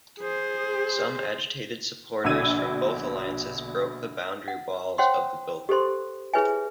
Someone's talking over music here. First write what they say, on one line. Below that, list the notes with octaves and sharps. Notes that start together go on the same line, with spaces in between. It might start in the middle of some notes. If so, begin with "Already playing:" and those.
Some agitated supporters from both alliances broke the boundary walls of the building.
G#4 C5
A#1 B2 D3 E6 G#6 D#7
F#5
C5 C#5 F#5 G5 C6
G4 A4 C5 C6
E4 G#4 B4 C#5 E5 G#5